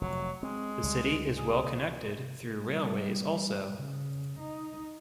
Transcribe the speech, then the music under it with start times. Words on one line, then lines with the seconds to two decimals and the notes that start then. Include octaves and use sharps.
The city is well connected through railways also.
0.01 F1 F#3
0.43 G#3 C4
0.83 C#2 G3
1.37 G#4
2.62 G3
3.77 C#3
4.39 D#4